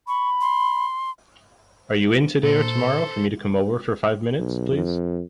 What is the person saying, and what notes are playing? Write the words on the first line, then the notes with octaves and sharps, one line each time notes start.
Are you in today or tomorrow for me to come over for five minutes please?
B5 C#6
C6
A#2 A4 C5
B1
F2